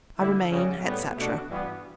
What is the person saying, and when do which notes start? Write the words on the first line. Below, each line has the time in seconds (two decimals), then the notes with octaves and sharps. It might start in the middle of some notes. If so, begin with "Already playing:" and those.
I remain, etc.
0.19 D3 A3 E4
0.51 F#2 C#3 G3 C#4 F#4
0.84 A2 G3 B3
1.16 B2 A3 D4 F#4
1.48 G2 E3 G3 B3 F#4